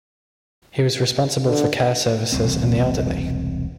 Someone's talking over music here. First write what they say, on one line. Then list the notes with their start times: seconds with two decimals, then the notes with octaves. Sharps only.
He was responsible for care services and the elderly.
1.46 D3
2.32 E1 C2 C4